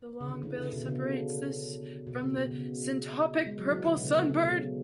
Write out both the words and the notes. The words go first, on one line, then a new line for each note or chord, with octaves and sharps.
The long bill separates this from the syntopic purple sunbird.
C#3
D3
E3
C#3
B2
D3
C#3
B2
C#3
B2
C#3
G#3
F#3
E3
D3
B2
C#3
C#3
C#3
B2